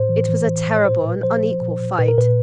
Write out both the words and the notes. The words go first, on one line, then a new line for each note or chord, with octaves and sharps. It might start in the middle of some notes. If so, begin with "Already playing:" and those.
It was a terrible and unequal fight.
Already playing: A2 C5
E3
E3
A2
A2
C#5
A#2 C5
A#2 B4
F3 C5
F3
A#2
A#2
A#2 B4
A#4
A#2 B4